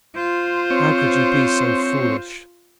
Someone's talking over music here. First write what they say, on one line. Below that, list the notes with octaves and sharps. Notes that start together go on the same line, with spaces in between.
"How could you be so foolish?"
F4 C5
C4 C#5